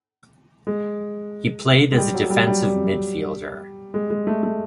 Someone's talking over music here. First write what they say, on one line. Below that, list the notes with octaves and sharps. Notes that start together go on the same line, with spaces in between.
He played as a defensive midfielder.
G#3
G#3
G3
F#3
G3
G3
G3
G#3
G#3
A3
A3